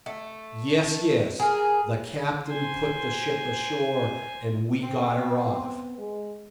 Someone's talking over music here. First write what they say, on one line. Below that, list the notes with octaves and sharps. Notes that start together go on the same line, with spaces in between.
"Yes, yes; the captain put the ship ashore and we got her off."
A3
G#4 A#4
C5 G#5
C4
B3
G#3